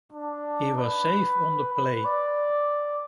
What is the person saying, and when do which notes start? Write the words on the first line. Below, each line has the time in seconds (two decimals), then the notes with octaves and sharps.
He was safe on the play.
0.12 D4
0.77 B4
1.73 B4
2.05 D5